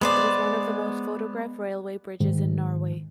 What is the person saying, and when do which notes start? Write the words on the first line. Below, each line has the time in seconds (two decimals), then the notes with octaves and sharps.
It is one of the most photographed railway bridges in Norway.
0.01 G#3 B3 B4 C5 D5
2.20 G#2 D#3